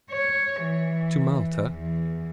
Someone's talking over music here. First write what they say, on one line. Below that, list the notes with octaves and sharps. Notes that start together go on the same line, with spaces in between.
"To Malta?"
C#5
E3
E2